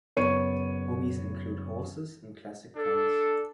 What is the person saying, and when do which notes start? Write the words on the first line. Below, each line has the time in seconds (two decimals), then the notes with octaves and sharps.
Hobbies include horses and classic cars.
0.16 F#1 B3 C#5 C#6 C#7 D#7
2.76 D4 A4